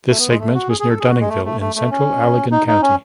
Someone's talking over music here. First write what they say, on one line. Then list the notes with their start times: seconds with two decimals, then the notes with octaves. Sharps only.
This segment was near Dunningville in central Allegan County.
0.09 A3
0.19 B3
0.28 G#3
0.39 A3
0.55 F#4
0.69 G#4
0.80 G#4
0.90 A4
1.00 G#4
1.09 F#4
1.20 G#3
1.29 A3
1.45 A3
1.61 A3
1.76 A3
1.91 C#4
2.52 D#4
2.67 D#4
2.82 C#4